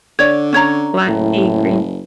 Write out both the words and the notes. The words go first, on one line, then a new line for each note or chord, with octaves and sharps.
Black tea, green
D3 C#5 D5
C#4 C#5 A#5
F#1 A2